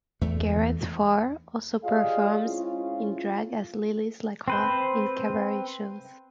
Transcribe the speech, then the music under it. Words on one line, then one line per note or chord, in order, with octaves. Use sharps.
Gareth Farr also performs in drag as Lilith LaCroix in cabaret shows.
E2 A3
F4 G4 G#4 D5 D#5 F5
G#3 C4 C#4 E4 F4
C4 B4 C5